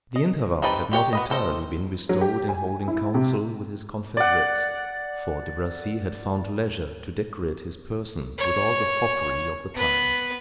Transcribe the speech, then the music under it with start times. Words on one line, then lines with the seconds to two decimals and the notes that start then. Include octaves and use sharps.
The interval had not entirely been bestowed in holding council with his confederates, for De Bracy had found leisure to decorate his person with all the foppery of the times.
0.16 D#5
0.62 C4 D#4 G4 B4 A5
0.92 G#3 G4 C#5 G5
1.13 B3 B4 D#5
1.30 G4 A4 C5 D#5
2.09 F#3
2.21 G4
2.49 G#5
2.88 E4
3.14 C3
4.17 D5 F#5
8.38 C#5
9.75 B3 B4